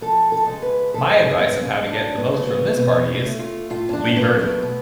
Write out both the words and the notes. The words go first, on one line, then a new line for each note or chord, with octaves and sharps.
My advice on how to get the most from this Party is: Leave early.
F2 A4
A4
C#3 G#3
B4
G#2 A4
G#4
G#3 B3
C#4
C#4
D2 D4
B3
C#3 F#3 A3
B3
B2 B3
C#4
A3
F4
A2 F4
C#4
D4
C#4
F#3 A3 B3
B3
B2